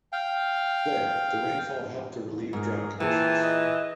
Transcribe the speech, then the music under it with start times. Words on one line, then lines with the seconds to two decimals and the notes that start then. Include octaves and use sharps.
There, the rainfall helped to relieve drought conditions.
0.13 F5 G5
2.53 G#2 G#4 A#4
3.00 A#2 E3 G#4 C5 G5 A5
3.42 D#5